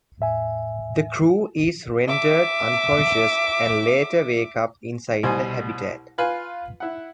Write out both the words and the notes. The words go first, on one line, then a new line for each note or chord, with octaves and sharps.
The crew is rendered unconscious and later wake up inside the habitat.
E2 A2 E5 G#5
E5 D6
C2 B2 G3 C5 G#5
F4 B4 F5 G#5
E4 F#5